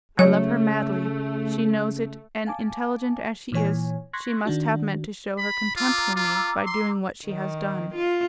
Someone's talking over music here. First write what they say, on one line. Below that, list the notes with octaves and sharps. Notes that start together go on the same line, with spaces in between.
I love her madly; she knows it, and, intelligent as she is, she must have meant to shew her contempt for me by doing what she has done.
C#3 F#3 A3 C#5
F5 G#5 A5 D6
A#2 E3 C#5 G#5
C6 C#6 F#6 G#6 A#6 B6
D#3 D4 F#4
B5
F4 A#5 D6 E6
F4
C6
D#3
F4